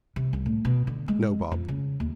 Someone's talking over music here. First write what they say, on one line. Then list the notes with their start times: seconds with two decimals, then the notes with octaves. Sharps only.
No Bob.
0.16 C3
0.33 C2
0.46 A2
0.65 B2
0.87 D3
1.08 G#3
1.52 F2
1.68 C#3
2.00 D#2